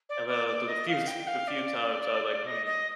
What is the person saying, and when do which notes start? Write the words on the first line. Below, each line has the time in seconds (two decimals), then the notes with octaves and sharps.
And the to the few t th the few times, I was, like, "Hmm.
0.09 D5
0.28 D5
0.48 D5
0.68 D#5
0.88 F5
1.07 G5
1.27 F5
1.47 D5
2.46 D#5
2.66 D#5